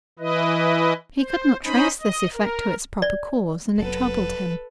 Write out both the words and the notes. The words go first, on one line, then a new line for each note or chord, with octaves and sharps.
He could not trace this effect to its proper cause and it troubled him.
E3 E4 B4 D#5
C5
C#4 D#4 C5 D#5 B5
D#5
A#4
D5
F1 F#3 A4 B4